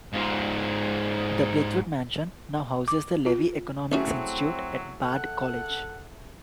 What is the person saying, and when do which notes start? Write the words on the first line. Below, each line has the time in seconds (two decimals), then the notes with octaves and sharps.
The Blithewood mansion now houses the Levy Economics Institute at Bard College.
0.13 G#2 F4
2.88 D6
3.26 F4
3.92 B1 F#3 A3 C4 C#4 E4 F#4 G#4
5.02 A4 F#5